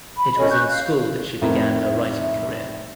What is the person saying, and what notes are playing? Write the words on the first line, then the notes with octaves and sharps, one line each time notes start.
It was in school that she began her writing career.
B5
C#4 A4 D#5
C#6 F#6 G6
F5
F2 A2 D#4 A#4
E5